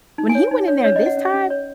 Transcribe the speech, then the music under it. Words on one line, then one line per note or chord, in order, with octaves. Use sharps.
When he went in there this time,
D#4
G#5
C#5
D#4
C#5
C#4 C#5
D#5
C#4
F#5
C#4
C#4
C#5